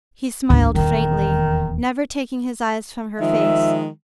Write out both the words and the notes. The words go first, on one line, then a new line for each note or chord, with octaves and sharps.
He smiled faintly, never taking his eyes from her face.
G#1 D2
D#1 E2 D#3
D#3 F3 G#3 E5